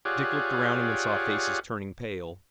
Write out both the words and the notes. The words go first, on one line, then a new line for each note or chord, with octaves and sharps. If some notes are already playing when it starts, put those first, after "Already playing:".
Dick looked around him and saw faces turning pale.
F4 G4 G#4 C#5 D5 F#5